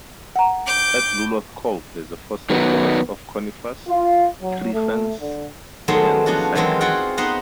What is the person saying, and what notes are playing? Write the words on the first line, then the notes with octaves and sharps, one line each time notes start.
At Lulworth Cove there is a fossil forest of conifers, tree-ferns and cycads.
F#5 A#5
D6 G6
D#3 F#3 B3
F4
F#3
A3
D3
D#3 F#3 G#3 A3 B3 C5
F3 B3 C#4 D4 F#4
D#3 E3 F#3 G#3 C4
F4 F#4 G#4 F#5 G5
B3 D#4 B4 C5 D#5 F#5